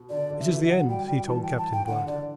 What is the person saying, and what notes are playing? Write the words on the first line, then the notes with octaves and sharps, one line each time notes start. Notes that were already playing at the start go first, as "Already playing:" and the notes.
"It is the end," he told Captain Blood.
Already playing: B2
D3 D5
D3
E5
E3
E5
F#3 F#5
G3 G5
G3 G5
E3 A5
G5
A5
G5
D3 F#5
D3 D5